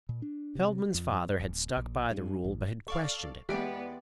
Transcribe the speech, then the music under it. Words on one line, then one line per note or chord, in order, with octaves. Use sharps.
Feldman's father had stuck by the rule but had questioned it.
A#2
D4
C3
F2
D1
A#1
G2
A1
A4 D5 F5 C#6
E2 G#3 B3 G4 D5 E5 G5